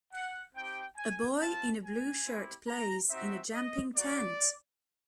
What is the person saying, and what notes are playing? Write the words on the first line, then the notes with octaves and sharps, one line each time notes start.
A boy in a blue shirt plays in a jumping tent.
F#5
C4 D#4 G4 G5
G#5
C4 F4 A5
G#5
C4 E4 G4
A#5
C4 D#4 F#4 E5
D#5
A#3 D#4 F#4 D5